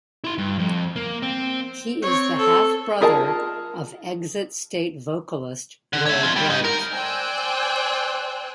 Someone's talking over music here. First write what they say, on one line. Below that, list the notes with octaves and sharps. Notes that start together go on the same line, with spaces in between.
He is the half-brother of Exit State vocalist Roy Bright.
E4 C6
G2
F2
A#3
C4
C4 C#5
A4
F4 G#4 A#4 F#5 A5
D3
C#5 E5
C4 F4
G3
G#2 D#4
A#4
C5 D5 G5 G#5 E6 F#6